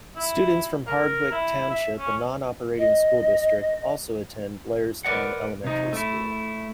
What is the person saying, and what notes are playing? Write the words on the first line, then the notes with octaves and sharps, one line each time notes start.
Students from Hardwick Township, a non-operating school district, also attend Blairstown Elementary School.
E4
A#4
E4
E5
C#4
D#5
A#4 B4 D5 D#5 F#5
C3 D#4
A3 E4